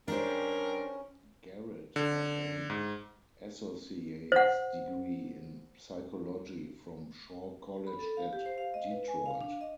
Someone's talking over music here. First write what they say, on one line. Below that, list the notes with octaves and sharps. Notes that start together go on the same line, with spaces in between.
Garrett had an associate's degree in psychology from Shaw College at Detroit.
G2 C#4 D4 G4 A#4 C5
D3
G#2
C5 F#5
B5
A4
F5
G4
C5
F5
D#5
B4
G#5
F5
D4
D#5